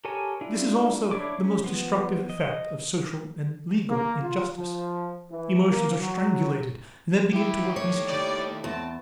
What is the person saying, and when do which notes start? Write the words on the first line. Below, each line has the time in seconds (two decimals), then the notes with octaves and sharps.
This is also the most destructive effect of social and legal injustice; emotions are strangulated and then begin to work mischief.
0.05 G4 A4 A#4 C#5 G#5
0.41 D4 E4 F4
1.11 D4 E4 C#5 D5 D6
1.38 C#4
1.64 F3 B3
2.30 D#5
3.90 A#3
4.23 F4
4.57 F3
5.32 E3
5.69 A#3
6.00 F#3
7.33 D#3 E4 G4
7.76 A2 C#5
8.08 G3 D5
8.64 E2 C4 A5